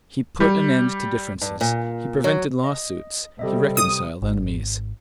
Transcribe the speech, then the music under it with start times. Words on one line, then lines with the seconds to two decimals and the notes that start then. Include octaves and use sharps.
He put an end to differences, he prevented lawsuits, he reconciled enemies.
0.40 G3
1.41 G2
1.61 A#2
2.24 F#3
2.64 D#5
3.39 C3 G3 A4 D#5 E5
3.77 D#6
4.22 G#1